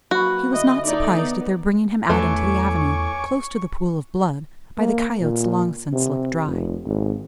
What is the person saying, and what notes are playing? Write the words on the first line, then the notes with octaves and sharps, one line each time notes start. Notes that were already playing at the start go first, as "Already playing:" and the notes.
He was not surprised at their bringing him out into the avenue--close to the pool of blood--by the coyotes long since licked dry.
F#3 A#3 F#4 B4
D3 E4 D#5
A3 D#4 D5
B3
E2 E3 A3 C#4 C#5 G#5 C#6 D6
A#3
A#2
C3
F1
G#1